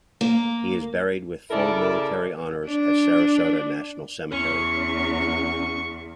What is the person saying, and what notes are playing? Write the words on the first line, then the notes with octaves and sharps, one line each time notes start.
He is buried with full military honors at Sarasota National Cemetery.
A#3
C#3 E4 A4 A#4 D5
D4
E2 C#4 C#6